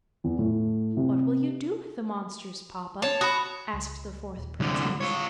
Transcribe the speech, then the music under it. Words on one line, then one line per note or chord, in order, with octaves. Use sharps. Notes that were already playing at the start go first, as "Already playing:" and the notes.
"What will you do with the monsters, papa?" asked the fourth Princess.
E2
A2
C3
C#5 A5
F#4 B5 D#6
C#2
D#1
C2 D3 F3 G3 A3
G3 G#3
F4 C#5